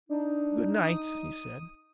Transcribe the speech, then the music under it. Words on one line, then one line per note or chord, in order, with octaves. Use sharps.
"Good night," he said.
D4 D#4
D#6